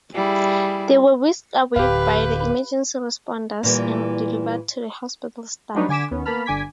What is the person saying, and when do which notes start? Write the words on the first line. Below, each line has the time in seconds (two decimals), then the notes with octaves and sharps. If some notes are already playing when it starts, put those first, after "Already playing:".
They were whisked away by the emergency responders and delivered to the hospital staff.
0.14 G3 E4 G#4
1.76 D1 D3 G4 B4 F5
3.63 A#2 E3 G3
5.74 F#3 G3 D4 D#4 B4 C#5
5.89 D3 G#5 D6 B6 E7
6.11 D#2 B3 C#4
6.25 A#3 B3 A5 B5 F6
6.46 G1 D3 G#5 D6 G#6 B6